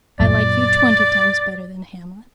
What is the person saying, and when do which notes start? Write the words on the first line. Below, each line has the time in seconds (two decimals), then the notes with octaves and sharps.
I like you twenty times better than Hamlet.'
0.20 F#2 A#2 D5